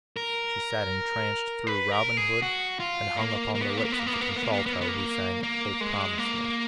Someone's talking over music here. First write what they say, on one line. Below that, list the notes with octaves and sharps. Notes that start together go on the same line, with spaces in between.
She sat entranced through "Robin Hood" and hung upon the lips of the contralto who sang, "Oh, Promise Me!"
A#4
B4
A#4
G#4
F#4
F4
A#3
A#3
B3
A#3
B3
A#3
B3
A#3
B3
A#3
B3
A#3
B3
A#3
B3
A#3
B3
A#3
B3
A#3
A#3
G#3
A#3